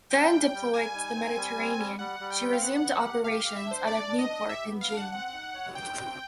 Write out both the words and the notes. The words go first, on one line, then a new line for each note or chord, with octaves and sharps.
Then deployed to the Mediterranean, she resumed operations out of Newport in June.
G3 G5
G3
G5
G3
G3 G#5
D#4
C4
G3
C4
G3
G3 F#5
G3
G5
C4
F5
B3 F#5
B3
G4
G4 F5
F5
G4
E5
D4
C5
D4 D5
D4
D#5
D4
G4 E5
B3
F5
D4
F#5
C4 F#5
D#4
C#5
D#4 G5
C4